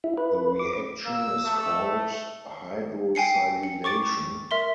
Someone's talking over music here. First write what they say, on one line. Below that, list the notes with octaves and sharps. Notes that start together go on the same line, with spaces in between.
The reaction is called hydrosilylation.
E4
B4
D6
A#3 E6
A3
G5 G#5 C7 C#7
C#7
C#6 D6 A6 D7
A#4 E5 C6 G7